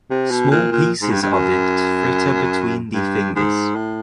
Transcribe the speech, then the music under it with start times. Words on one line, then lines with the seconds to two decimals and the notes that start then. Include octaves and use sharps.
Small pieces of it fritter between the fingers.
0.10 C3
0.31 B2
0.51 A#2
0.72 A#2
1.02 G#2
1.11 G2
1.23 G2
1.33 F#2
2.94 G2
3.35 G#2
3.75 A2